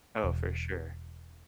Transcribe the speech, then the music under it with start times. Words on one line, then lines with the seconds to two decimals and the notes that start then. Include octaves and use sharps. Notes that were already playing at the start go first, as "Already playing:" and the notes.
Oh, for sure.
0.24 E1